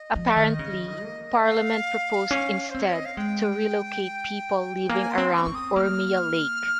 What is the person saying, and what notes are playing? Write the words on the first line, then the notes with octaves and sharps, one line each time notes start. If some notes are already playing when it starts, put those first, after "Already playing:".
Apparently, parliament proposed instead to relocate people living around Urmia Lake.
Already playing: D#5
F3
D#3
C#3
A#3
F5
C#4
C4 C5
C#5
D#5
F5
G#3 G5
A#3 G#5
C6
C4
D#6
C#6
C4
D#6
A#3 F6